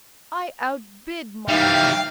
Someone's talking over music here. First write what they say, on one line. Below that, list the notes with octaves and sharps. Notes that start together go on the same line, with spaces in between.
I outbid Marmy.
E3 G3 D#4 E5 F5 G5